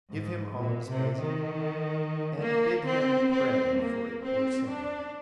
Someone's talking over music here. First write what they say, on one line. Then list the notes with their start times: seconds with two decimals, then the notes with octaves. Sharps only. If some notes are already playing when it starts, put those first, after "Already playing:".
"Give him alms, Bazin, and bid him pray for a poor sinner."
0.11 G#2
0.58 A#2
0.88 C3
1.19 D#3
2.40 A#3
2.86 C4
3.31 C4
3.78 A#3
4.23 C4
4.69 D4